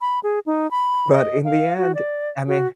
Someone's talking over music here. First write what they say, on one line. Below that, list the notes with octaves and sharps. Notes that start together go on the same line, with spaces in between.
But in the end, I mean
B5
G#4
D#4
B5
D#5
F5
F#4
D5
F#4